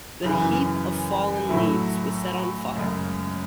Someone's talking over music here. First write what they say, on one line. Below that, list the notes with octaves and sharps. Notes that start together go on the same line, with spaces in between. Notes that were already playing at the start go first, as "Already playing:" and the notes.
The heap of fallen leaves was set on fire.
F#2 C#3 E3
A2 F#3 A3 E4
F#2 C#3 G#3